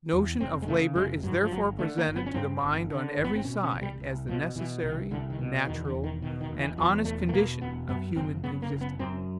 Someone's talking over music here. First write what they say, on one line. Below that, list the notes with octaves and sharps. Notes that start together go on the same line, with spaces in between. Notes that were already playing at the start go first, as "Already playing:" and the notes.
The notion of labor is therefore presented to the mind on every side as the necessary, natural, and honest condition of human existence.
E2
F1 C4
G#3
C#3 A3
F1 G#3
G2 F#3
F3
G1 F#3
D3 A3
A#3
G1
B3
C#4
G2 C4
G1
D3
G1
B3
C4
B2 C#4
C#4
C2
G3
C2
B2 F3
B2 E3
C2 D#3
C2 D3
D#3
B2
E2 D#3
D3
E1
D#3
B2 D#3
D#3
E1
E3
E2 F3
E1 A3
A3
B2 A#3
E1 B3
F#2 B3
F#1 C4
C#3 B3
A#3
F#1
B3
F#2 C4